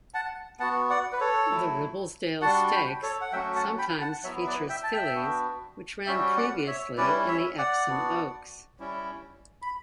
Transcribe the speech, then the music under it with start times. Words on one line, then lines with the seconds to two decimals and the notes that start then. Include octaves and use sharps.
The Ribblesdale Stakes sometimes features fillies which ran previously in the Epsom Oaks.
0.14 F#5 A5
0.60 B3 F#4 F#5 A5
0.90 D5 F#5
1.13 B4
1.20 A4 C#5
1.50 F#3 A3 E4
2.41 G3 D4 F#4 F#5 A5
2.72 G5 B5
3.02 A4 C#5
3.21 F#5
3.33 F#3 A3 C#4 F#4 E5 G5
3.56 F#5 A5
3.79 G5 B5
4.01 F#5 A5
4.24 F#3 B3 E4 C#5 E5
4.47 B4 D5
4.69 E5 G5
4.83 A5
4.93 E5 G5
5.15 B3 D4 F#4
6.06 G3 C#4 F#4 E5 G5
6.37 D5 F#5
6.67 C#5 E5
6.97 G3 C#4 E4 B4 D5
7.28 C#5 E5
7.58 D5 F#5
7.89 B3 D4 F#4
8.79 G3 C#4 E4
9.62 B5